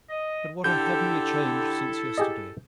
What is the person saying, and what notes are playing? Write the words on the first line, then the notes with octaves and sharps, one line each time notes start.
But what a heavenly change since yesterday!
D#5
D3 E4 G4 A4 G6
G4 G#4 D#5